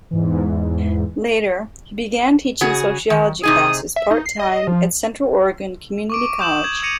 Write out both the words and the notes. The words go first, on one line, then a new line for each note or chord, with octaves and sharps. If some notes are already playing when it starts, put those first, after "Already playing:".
Later, he began teaching Sociology classes part-time at Central Oregon Community College.
E2 G#2 E3
C#3 F#4 G#4
D#3
C3 D#4 G#4 D#6
E5
D#4
C7
D#5
D#5
F3
C#6 D6 D7
D#6 G6 E7 F#7
G#6
D#6 A#6 C#7 D#7 F7